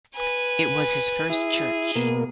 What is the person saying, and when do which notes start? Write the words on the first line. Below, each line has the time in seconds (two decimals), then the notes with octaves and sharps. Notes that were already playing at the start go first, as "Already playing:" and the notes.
It was his first church.
0.15 B4 G#5
1.30 E4 G#4
1.96 B2 A#3